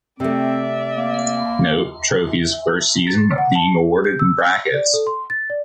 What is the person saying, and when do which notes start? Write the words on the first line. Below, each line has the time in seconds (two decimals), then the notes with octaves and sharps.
Note: Trophy's first season being awarded in brackets.
0.20 C3 A3 C4 D5 E5
0.94 A#3
3.07 A6
3.38 F#5
3.55 A5
3.74 G#4
4.04 G6
4.19 E6
4.74 D5
4.94 A4
5.07 C6
5.30 A6
5.50 D5